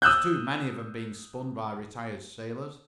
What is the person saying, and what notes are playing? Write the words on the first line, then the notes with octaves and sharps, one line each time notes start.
There's too many of 'em being spun by retired sailors.
D#6 E6 F#6 G6